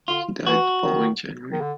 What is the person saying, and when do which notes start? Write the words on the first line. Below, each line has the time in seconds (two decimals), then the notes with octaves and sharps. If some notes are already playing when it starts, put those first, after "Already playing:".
He died the following January.
0.08 D3 F4
0.46 E3 F#4
0.84 D#3
1.52 D#3
1.61 D3